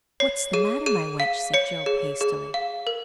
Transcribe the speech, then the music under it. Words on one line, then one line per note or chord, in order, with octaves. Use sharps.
"What's the matter, my wench?" said Job, hastily.
C#5 C7
G#4 D#7
G#4 D#7
F5
C#5 C#7
G#4
G#4
F5
A#4